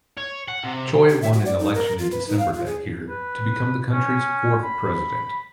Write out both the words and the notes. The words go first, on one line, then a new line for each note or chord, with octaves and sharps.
Choi won an election in December that year to become the country's fourth president.
C#5
F#5
C3
G4
E5
F#4
D5
D#4
A#4
F4
B4
D#4
F5
F4
G#4
B4
C#4
B5